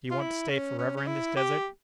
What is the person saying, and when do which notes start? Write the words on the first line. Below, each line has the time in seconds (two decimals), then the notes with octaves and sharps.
"Do you want to stay forever in this desert?"
0.11 F4
0.20 E4
0.49 C#4
0.79 C#4
0.97 C#4
1.07 E4
1.37 G4